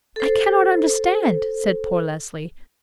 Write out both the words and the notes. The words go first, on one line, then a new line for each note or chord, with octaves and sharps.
"I cannot understand," said poor Leslie.
A4 C5